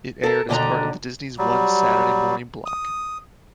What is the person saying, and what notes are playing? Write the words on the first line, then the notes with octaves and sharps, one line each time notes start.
It aired as part of the Disney's One Saturday Morning block.
A4 A#4
D#2 B2 D3 D4 A#5
F#3 G3
D#6